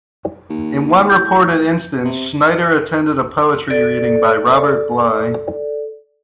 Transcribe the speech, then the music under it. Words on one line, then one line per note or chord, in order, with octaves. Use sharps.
In one reported instance, Schneider attended a poetry reading by Robert Bly.
D#2
A2 G6
C3
A4 D5